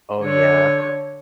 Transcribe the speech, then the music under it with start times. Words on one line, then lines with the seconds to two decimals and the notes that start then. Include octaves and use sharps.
Oh, yeah?
0.21 D3 C#5